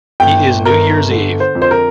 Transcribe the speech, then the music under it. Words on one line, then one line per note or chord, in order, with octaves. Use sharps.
He is New Year's Eve.
G1 G5
G1 A#4
D3
C5
F2
C5
A#4